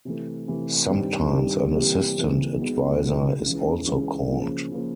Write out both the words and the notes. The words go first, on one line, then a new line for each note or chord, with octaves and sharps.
Sometimes an assistant adviser is also called.
C3 E3 A3
C3 E3 A3
G2 D#3 G3 C4 D#4
G2 D#3 G3 C4 D#4
C3 E3 G3 A#3
C3 E3 G3 A#3
B1 B2 G#3 B3
B1 B2 G#3 B3
C#2 C#3 E3
C#2 C#3 E3
C#3 F3 A#3
C#3 F3 A#3